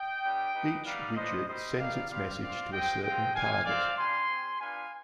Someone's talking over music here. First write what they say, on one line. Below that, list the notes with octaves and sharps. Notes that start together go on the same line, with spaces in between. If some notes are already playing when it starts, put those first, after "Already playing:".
Each widget sends its message to a certain target.
Already playing: D#5 G5
G3 B3 D4 G4
B3 D#4 G4
G3 B3 D#4 G4 D5 F5
B3 D4 F4 C5 D#5
G3 C4 D#4 C5 D#5
B3 D#4 G4 D5 F5
G3 C4 F4 D5 F5
C4 D5 F5
F4
C4 F4 D#5 G5
G#3 C4 F4 D#5 G5
G#3 D4 F4 F5 G#5
C4 F4 D5 F5
G3 D4 G4 G#5 C6
C4 G4
B3 D4 F4 F5 G#5